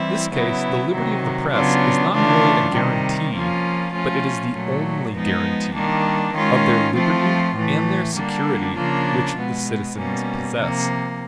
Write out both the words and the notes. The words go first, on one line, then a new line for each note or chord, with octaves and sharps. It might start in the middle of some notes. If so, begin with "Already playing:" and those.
In this case the liberty of the press is not merely a guarantee, but it is the only guarantee, of their liberty and their security which the citizens possess.
Already playing: E3 G3 C4 E4
C#3 F#3 B3 E4
C3 D#3 F#3
C#3 F#3 B3 D4 F4
C#3 E3 A3 D4 F4
C3 D#3 G3
F3 A#3 C#4 F4
F3 A3 C#4 F4
A#2 F#3 A3
F3 G#3 B3 D#4
D#3 G3 A#3 D4
D#3 G#3 C#4 F4
F3 A3 C4 F4
A2 E3 A3
D3 G3 A#3 D4
C#3 F3 A#3 D4 F4
B2 G#3 B3
B2 G3 A#3 C#4
C3 F3 A#3